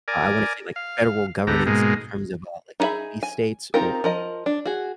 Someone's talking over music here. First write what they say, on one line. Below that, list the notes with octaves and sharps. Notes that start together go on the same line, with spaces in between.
I I wanna say, like, federal governance in terms of, uh, like police states or
A#4 D5 G#5
F5
D2 A3 B3 G4 A#5
G#2 B2 G#3 A#3
D#4 F4 G#4 E5 B5
G#5
C4 D#4 F4 G4 A#4
F3 A#4 D#5
D4
F#4 G#4